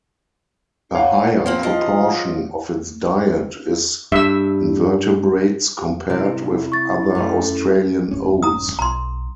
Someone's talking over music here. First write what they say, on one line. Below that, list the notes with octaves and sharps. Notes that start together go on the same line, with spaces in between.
A higher proportion of its diet is invertebrates compared with other Australian owls.
C#5 F5 F#5
F3 A#3 C4
F3 D#5
G2 E5 E6
C3 G3 E4 D5
C#6 A6
F#2 A3 C#4
E1 G2 C#4
A#5 D#6
B1 A#5 C6